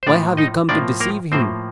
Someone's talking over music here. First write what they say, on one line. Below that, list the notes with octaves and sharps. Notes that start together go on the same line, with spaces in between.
Why have you come to deceive him?
C5
A2 F3 A#3 D4 D5
D#4 D#5
A2 F3 A#3 D4 D5
A#3 A#4
A2 F3 A#3 C4 C5